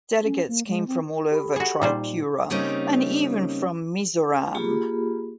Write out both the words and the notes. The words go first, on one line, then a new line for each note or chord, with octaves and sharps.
Delegates came from all over Tripura and even from Mizoram.
C#4
A#3
G#3
C4
G4 A4 B5
F#4 G#4
A#2 G3 D#4 C5
C#3 G3 A#3 C4 C#4 D#4
A#3 F4 G4 G#4 B5